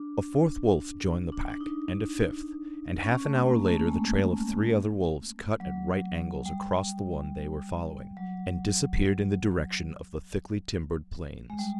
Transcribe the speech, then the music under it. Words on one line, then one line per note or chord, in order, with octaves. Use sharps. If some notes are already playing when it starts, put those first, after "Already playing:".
A fourth wolf joined the pack, and a fifth, and half an hour later the trail of three other wolves cut at right angles across the one they were following and disappeared in the direction of the thickly timbered plains.
Already playing: D4
D4
D4
D#4
C#4
A3
A#3
A3
G#3
F#3
G3
F#3
G#3
G3